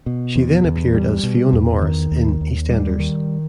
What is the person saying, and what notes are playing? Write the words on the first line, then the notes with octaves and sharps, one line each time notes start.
She then appeared as Fiona Morris in "EastEnders".
B2
E2
E2
G3
B2
E2
D#3
D#2
D#2
G3
D#3